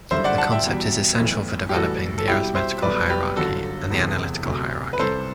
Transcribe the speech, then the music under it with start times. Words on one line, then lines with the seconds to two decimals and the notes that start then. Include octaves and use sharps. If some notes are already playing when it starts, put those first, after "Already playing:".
The concept is essential for developing the arithmetical hierarchy and the analytical hierarchy.
0.11 F#1 F#2 D3 G3 C5 E5
0.24 D5 F#5
0.38 F#5 A5
0.52 E5 G5
0.65 E2 B2 G3
1.20 B1 A2 E3
1.69 G4
1.73 A1 A2 E3 G3 F#4 A4
2.18 A4
2.28 C2 B2 G3 E4 G4
2.55 C5 E5
2.82 B1 B2 G3 B4 D5
3.10 G4 B4
3.36 G1 F#2 D3 F#4 A4
3.90 E1 D2 C3 E3
4.45 D2 C3 F#3
4.93 B4
4.99 C2 C3 G3 A4 C5